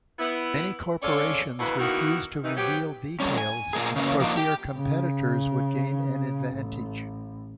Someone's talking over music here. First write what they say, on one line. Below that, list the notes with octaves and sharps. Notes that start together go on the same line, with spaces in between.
Many corporations refused to reveal details for fear competitors would gain an advantage.
B3 E4
G#3 C#4 A4 C#5 D5 F5
D2 B2 E3 A#3 E4 B4
B2 D#3 A#3 B3 E4 F#4
D#3 E3 D#4
C3 F#3 B3 G4
D3 G3 C#4
G#5
A#2 A#3 G#4
C#3 E3 A#3 C#4
F3 F#3 A#3 D4 D#4
G4
C#3
A1